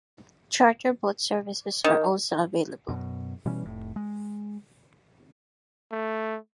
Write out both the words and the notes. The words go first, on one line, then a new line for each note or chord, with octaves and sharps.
Charter boat services are also available.
D#3
F#2 B2
B2 E3 G3 C#4
F1 A2
G#3
A3